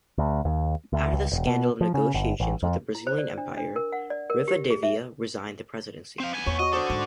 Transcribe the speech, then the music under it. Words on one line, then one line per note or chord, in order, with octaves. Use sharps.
After the scandal of negotiations with the Brazilian Empire, Rivadavia resigned the presidency.
D2
D#2
D2
C#2
E1
B2
F3
C#3
G1
A1
F2
E4
C5
D5
D4
D4
A#4
F#5
D5
A#4
G4
G#4
E5
C4 F5
B3 G#5
E2 C#5
F#4 D#5 D#6
D4 A4 C5 D5
G#2